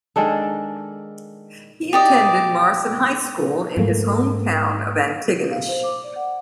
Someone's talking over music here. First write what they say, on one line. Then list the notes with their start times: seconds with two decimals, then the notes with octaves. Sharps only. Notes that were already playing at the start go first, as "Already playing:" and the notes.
He attended Morrison High School in his home town of Antigonish.
0.16 D#3 G#3 D4 A4
1.93 G4 D5 D#5
3.77 G#2 A3 A#3
5.26 G4
5.50 F5
5.68 C5
5.83 D6
6.04 D5
6.16 F#5